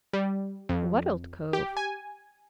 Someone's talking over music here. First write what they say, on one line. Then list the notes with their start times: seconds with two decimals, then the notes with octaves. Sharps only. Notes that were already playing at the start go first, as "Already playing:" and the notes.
"What old cove?"
0.13 G3
0.69 F2
1.53 G4
1.77 G#5